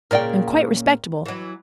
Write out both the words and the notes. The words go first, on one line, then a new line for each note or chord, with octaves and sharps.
"I am quite respectable."
A#2 C#3 A#3 A#4 D5 G5
E3 F#3